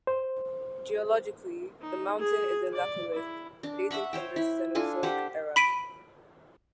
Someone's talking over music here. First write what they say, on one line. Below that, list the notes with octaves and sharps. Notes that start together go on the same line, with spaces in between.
Geologically, the mountain is a laccolith, dating from the Cenozoic era.
C5
D#4
G#4
D5
E4
D4
E5 F#5 B5 C#6
C5 C#5 G5
E4
D4 F4 A4 G#5
G4 C5 F#5
B5 B6 D7 D#7